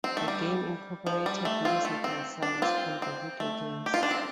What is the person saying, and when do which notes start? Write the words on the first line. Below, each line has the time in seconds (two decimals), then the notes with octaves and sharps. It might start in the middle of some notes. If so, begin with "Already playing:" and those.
The game incorporated music and sounds from the video games.
0.04 C4
0.17 A3
0.28 G3
1.07 F3
1.26 G3
1.45 A3
1.65 C4 F4
1.85 A3
2.04 C4
2.42 D4
2.62 C4 F4
3.02 C4
3.40 A3
3.86 G4
3.94 F4
4.03 D4
4.11 C4